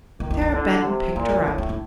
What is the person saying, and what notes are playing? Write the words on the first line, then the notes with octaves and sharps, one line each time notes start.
Sara bent and picked her up.
D#3 D#4
E4
D#4
D3 E4
C3
A#2 E4
D4
A2 B3
C#4
D4